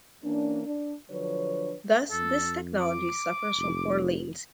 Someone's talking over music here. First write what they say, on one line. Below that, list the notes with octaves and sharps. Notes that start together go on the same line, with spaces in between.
Thus, this technology suffers from poor latency.
E3 A#3 C#4 D4
D4
D3 F3 F#3 D4 B4 C#5
F2 A4
D6
F1